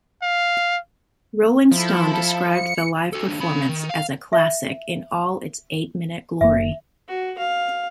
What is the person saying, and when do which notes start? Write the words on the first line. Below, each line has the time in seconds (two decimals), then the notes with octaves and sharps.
"Rolling Stone" described the live performance as "a classic in all its eight-minute glory".
0.22 F5
1.71 F3 E4 A4
2.53 C#7
3.13 F#4 A4
3.28 D#2 D4
3.41 C#4 B5
3.69 D#3
3.90 F5
4.33 E5
6.41 F#1 A#3 E5
7.08 F#4
7.38 F5